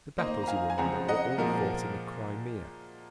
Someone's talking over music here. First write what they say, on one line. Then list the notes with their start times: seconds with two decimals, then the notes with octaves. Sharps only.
The battles, you remember, were all fought in the Crimea.
0.18 D#3 A#3 C5 D#5
0.43 A#5
0.48 F5 G#5
0.70 G#5
0.78 C#3 F3 G#3 C4 F#5 A#5
1.08 D#5 F#5
1.38 A#2 F3 G#3 F#4 A#4